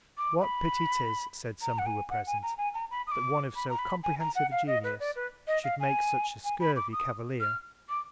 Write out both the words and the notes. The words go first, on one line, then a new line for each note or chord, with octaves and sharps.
What Pity 'tis, said some who were present, that one of so comprehensive a Genius, should make such a scurvy Cavalier?
D6
B5
A#5
F#5
G#5
F#5
G#5
A#5
G#5
A#5
B5
D#6
D6
B5
A#5
B5
G#5
A#5
F#5
F5
D#5
B4
D5
B4
D#5
F5
G#5
G#5
B5
D6
D#6
F6
D6